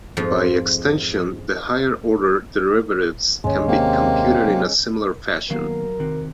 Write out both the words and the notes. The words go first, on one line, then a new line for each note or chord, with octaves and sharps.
By extension, the higher order derivatives can be computed in a similar fashion.
F2 G#2 F4
G1 D#2 G#2 G#3 C#4
D#2 C3 A#3
F#3
D#3 F#3 A#3 B3 A#4 F5
C3 D#3 C4 F#4